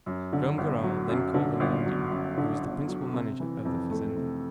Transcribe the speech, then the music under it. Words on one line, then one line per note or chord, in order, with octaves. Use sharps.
Joam Garral then called in an Indian who was the principal manager of the fazenda.
F#2
D3
G1
F#3
F#2
D3
G1
F#3
F#2
D3
G1
F#3
C3
E3
F2
A3
C3